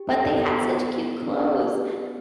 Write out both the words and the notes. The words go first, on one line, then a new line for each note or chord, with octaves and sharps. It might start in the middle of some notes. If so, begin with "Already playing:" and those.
But they had such cute clothes.
Already playing: G4
B3 A4
B3
B3
B3
B3
B3
G4 B4
G4
B3
B3